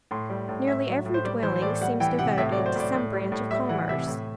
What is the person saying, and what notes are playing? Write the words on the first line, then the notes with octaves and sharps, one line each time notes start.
Nearly every dwelling seems devoted to some branch of commerce.
A2 C6
G3
A2
A2 E5
F#3
A2
C5
G3 D5
E3 C5
C5
A2 D5
G3 F#5
E3 G5
C3 F#5
A2 E5
D5
F#3
C5
A2 D5
A2
G3
A2
G3 E5
E3 F#5
C3 E5
A2